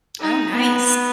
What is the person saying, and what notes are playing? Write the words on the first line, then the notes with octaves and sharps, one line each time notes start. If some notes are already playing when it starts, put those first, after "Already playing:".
Oh, nice.
D#4
B3